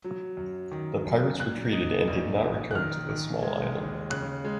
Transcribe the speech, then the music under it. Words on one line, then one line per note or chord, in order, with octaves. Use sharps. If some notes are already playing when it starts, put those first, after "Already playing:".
The pirates retreated and did not return to the small island.
F#3
F#2
D#3
F#2
A#2 F#6
D#4
A#1
A#1
F#6
D#3 F6
D#3
G#3
D#2
C#3 F#6
G#3